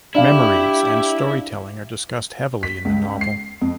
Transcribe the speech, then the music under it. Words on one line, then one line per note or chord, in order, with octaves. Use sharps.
Memories and storytelling are discussed heavily in the novel.
D4 E4 G4 F5
B6
C#2
C7
F2